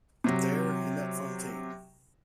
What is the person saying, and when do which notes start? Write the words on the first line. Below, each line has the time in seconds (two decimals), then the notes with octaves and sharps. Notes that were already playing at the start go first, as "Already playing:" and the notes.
There he met Fontaine.
0.24 C3 F#3